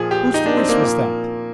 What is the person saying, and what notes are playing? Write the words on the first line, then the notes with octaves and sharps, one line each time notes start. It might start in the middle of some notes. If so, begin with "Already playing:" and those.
"Whose voice was that?"
Already playing: A#2 F3 G#4
G4
D#4
D4
C4
A#3
A#2 F3